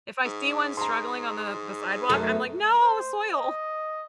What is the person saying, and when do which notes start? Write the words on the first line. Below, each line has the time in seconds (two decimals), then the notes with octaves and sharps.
If I see one struggling on the the sidewalk, I'm like no soil.
0.25 G#2
0.77 G#2 A#5 C6
2.09 F#2 A3
2.81 C5
3.32 D#5